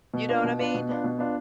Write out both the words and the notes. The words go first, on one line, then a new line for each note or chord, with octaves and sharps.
You know what I mean?
B2
B3 D4 F4
B2
B3 D4 F4
B2
B3 D4 F4
B2
B3 D4 F4